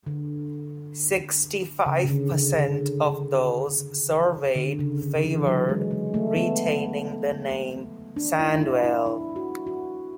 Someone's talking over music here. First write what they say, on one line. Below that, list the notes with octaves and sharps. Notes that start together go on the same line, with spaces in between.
Sixty-five percent of those surveyed favoured retaining the name Sandwell.
D3
C#3
C#3
D3
C#3
D3
D3
C#3
D3
D3
E3
F#3
G#3
G#3
A3
B3
D4
E4
D4
E4
E4
E4
F#4
F#4